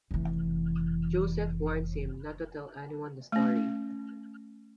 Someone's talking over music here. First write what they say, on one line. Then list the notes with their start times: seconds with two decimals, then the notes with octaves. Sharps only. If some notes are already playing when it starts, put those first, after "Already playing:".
Josef warns him not to tell anyone the story.
0.11 F1 E3
3.32 A3 C#4